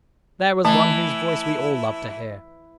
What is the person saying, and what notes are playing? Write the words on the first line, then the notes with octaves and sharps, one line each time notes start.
There was one whose voice we all loved to hear.
E3 A3 E4 A5